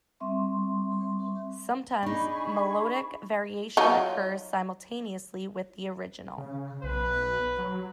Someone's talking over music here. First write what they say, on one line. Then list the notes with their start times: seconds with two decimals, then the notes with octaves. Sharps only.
Sometimes melodic variation occurs simultaneously with the original.
0.20 G3 C4 E5 C6 C#6
2.03 D4 D#4 G#4 B5 C#6
3.77 F#3 D#4 F4
6.38 C#3
6.83 B1 B4
7.58 F#3